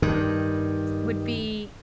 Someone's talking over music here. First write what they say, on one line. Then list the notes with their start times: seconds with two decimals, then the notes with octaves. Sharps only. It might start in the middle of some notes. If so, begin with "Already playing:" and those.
would be
0.02 G2 D#3